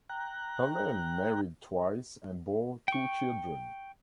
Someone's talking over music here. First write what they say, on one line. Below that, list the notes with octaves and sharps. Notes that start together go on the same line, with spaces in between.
Helene married twice and bore two children.
G5 A#5 F#6
G5 C#6